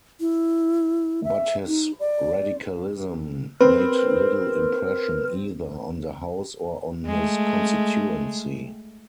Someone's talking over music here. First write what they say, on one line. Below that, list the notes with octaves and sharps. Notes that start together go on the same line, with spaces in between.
But his Radicalism made little impression either on the house or on his constituency.
E4
E5
D#4
D5
C4 A#4 B4
G#3 A3